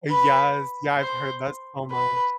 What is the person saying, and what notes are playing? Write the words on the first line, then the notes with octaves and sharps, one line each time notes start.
Eh, yes, yeah, I've heard that so much.
B4
C5
B4